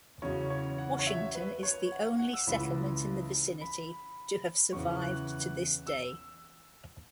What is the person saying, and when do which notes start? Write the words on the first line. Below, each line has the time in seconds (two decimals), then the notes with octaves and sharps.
Washington is the only settlement in the vicinity to have survived to this day.
0.22 E2 C#3 F#3 C#5
0.50 C#5
0.78 F#5
0.99 C#5
1.06 E5
1.35 B4
1.63 C#5
1.92 F#5
2.05 F#5
2.19 F#5
2.33 E6
2.47 C#2 C#3 E3 B5
3.61 B5
4.73 E2 C#3 E3 C#6
5.02 F#6
5.87 E6